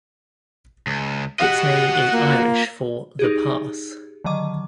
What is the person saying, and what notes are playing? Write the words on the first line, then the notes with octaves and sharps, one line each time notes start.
Its name is Irish for "the pass".
C#2
F#4 G4 D#5 F#5
A#3 F4
D#4 G4 G#4
D3 D#3 F#3 D#5 D6